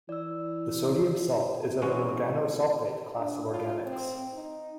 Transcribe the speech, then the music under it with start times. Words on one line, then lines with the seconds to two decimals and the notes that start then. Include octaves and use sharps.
The sodium salt is of an organosulfate class of organics.
0.09 E3 D5 E6
1.82 E3 G#3 B3 C#4 F#4
3.19 D4
3.51 F4
3.86 C4
4.33 D#4